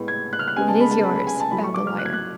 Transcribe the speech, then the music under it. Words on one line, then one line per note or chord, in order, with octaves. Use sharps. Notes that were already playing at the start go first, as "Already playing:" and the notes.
"It is yours," bowed the lawyer.
Already playing: A2 G#3 B3
G#6
F#6
F6
F#6
C#3 G#3 B3 G#5
A5
B5
A5
B5
B5
G#5
A5
A2 F#3 A3 B5
C#6
D6
F6
F#6
G#6
F#6